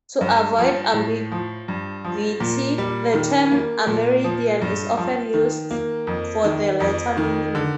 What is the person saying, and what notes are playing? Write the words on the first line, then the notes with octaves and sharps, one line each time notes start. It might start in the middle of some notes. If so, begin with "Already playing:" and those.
To avoid ambiguity, the term Amerindian is often used for the latter meaning.
G2
F3
A2
F3
G2
F3
A#2
G3
D#3
A#3
A#2
F3
G2
F3
D#3
A#3
F2
D#3
F2
D#3
D3